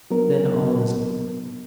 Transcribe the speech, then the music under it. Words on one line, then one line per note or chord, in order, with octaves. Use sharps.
Then all is over.
F#3 B3 D4 D#4 A#4